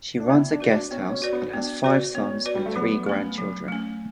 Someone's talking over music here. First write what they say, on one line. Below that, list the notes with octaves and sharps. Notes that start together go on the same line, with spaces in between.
She runs a guesthouse and has five sons and three grandchildren.
D4
B3 E4
D4
F#4 B4 D5
D4
B3 C#4
C#4
F#4 B4 D5
B3
B3 D4
F#4 B4 D5
B3 C#4
F#4 B4 D5
G3
A3
F#3 B3
A3 C#4
F#3
A3 C#4